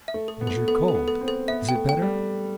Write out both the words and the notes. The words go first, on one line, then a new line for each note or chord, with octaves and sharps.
'And your cold, is it better?'
E5
A3
A4
B3
A3 A4
B3
B3 A4
A4
B3
A4
C4
A4
B3 E5
G5
A3
G5
G3